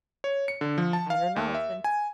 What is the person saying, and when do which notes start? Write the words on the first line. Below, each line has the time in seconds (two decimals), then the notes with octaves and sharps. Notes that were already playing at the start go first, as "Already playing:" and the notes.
I don't know, it's been
0.24 C#5
0.48 C#7
0.61 D3
0.78 F3
0.93 A5
1.10 F5
1.36 D#2
1.55 E5
1.84 G#5